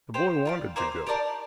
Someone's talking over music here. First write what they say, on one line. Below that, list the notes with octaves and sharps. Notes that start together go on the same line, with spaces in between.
The boy wanted to go.
G4 C5 G5
F4 A#4 D5
A#3 D#4 G4 C5
G4 A#4 D5 A5